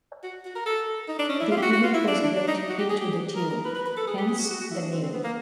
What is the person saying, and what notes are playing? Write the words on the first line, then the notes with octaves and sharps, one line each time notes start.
The image was built into the tube, hence the name.
F#4
F#4
A#4
A4
D#4
D4
C#4
E4
F4
G4
F#4
F#4
F4
E4
D4
D4
D4
D#4
F#4
G4
G#4
G4
G#4
A#4
A#4
B4
B4
B4
A4
G#4
G4
G#4
F#4
F#4
F#4
E4
D4
C4
C4
B3
A#3